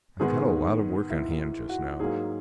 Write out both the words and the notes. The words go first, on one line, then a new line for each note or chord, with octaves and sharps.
I've got a lot of work on hand just now.
G#2 D#3 G#3 B3 G#4
E4
E4
F#4
G#2 F#3 A#3 G#4